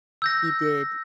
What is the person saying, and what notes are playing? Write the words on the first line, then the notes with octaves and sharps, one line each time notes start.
he did
E6 G6 A#6